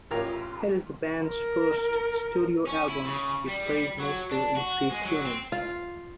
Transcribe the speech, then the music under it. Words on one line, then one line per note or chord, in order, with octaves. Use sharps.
It is the band's first studio album to be played mostly in C tuning.
A1 F4 G4 A#4 C#5 A#5
A#4
C#4
E4
C#3
G3
F#3
D4
F#4
G#3
F#3
C4
F4